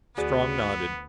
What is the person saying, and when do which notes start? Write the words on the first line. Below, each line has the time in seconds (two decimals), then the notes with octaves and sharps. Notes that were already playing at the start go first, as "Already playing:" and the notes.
Strong nodded.
0.18 D2 B3 F#4 G#4 D5